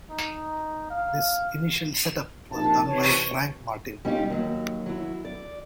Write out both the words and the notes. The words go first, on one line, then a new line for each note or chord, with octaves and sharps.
This initial set up was done by Franck Martin.
D#4
F5
A#1 C3 A#3 D#4 A5
C3 E3 C#5
G3 C#4 D#4 F4 G4
D#2 F#3
F#3 E4
D5